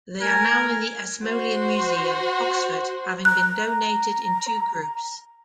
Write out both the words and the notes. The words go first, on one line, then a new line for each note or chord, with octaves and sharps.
They are now in the Ashmolean Museum, Oxford, having been donated in two groups.
A3 A#4 G#5 G#6
F#4 C5
A#5 F#6